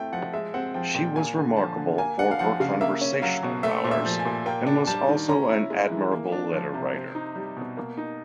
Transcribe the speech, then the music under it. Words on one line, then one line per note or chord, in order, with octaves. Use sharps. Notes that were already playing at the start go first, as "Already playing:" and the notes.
She was remarkable for her conversational powers, and was also an admirable letter-writer.
Already playing: A3 C4 E4 G5
F3 F#5
G#3 E5
C4 F#5
F3 G5
A#2 G5
A#3 G#5
D3
F3 A5
D3
A#3 G#5
D4 F#5
F5
F3 F#5
C#3 F5
A#3 E5
C#4
F#3 F5
B2
A3 E5
A#2
E5
F3
G#5
A#2
A#3 G5
D4
G3 A5
D#3
C#4 A#5
E4
G#3
E3
A#3
D4
F3
C3
C4
D#4
G3
B2
A#3
D#4